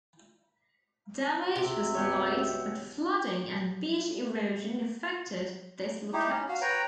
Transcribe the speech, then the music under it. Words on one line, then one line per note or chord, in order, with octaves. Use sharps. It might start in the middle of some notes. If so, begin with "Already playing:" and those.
Damage was light but flooding and beach erosion affected this lookout.
C#2 C3 F#4 E5
B3 G4 C#5
D#4 E4 G4
C#4
F#4 F5
B4 C#5 G5 A#5